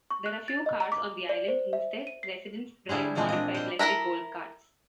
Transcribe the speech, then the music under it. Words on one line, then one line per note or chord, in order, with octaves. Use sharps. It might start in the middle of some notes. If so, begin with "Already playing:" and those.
There are few cars on the island; instead, residents drive modified electric golf carts.
C#6
F#6
A6
D#5
A#5
D6
D5
C5
E5
D#7
C7
D3 G3 E4 G#4 C5
A#2 E3 F3 G#3 C4 E4
D4 D#5
G3 C5
E4 A4 A#4 E5